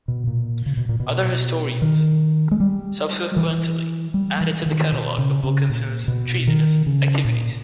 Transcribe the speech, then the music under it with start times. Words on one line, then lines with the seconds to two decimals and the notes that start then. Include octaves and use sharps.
Other historians subsequently added to the catalog of Wilkinson's treasonous activities.
0.08 B2
0.27 A#2
0.66 C#3
0.77 B2
0.89 A#2
1.00 B2
1.82 D#3
2.51 G#3
2.60 G3
3.36 E3
4.14 G3
4.41 E3
4.66 D#3
4.92 B2
5.18 C#3
5.44 C#3
5.70 A#2
6.08 B2
6.47 D#3
6.86 C#3
7.25 A#2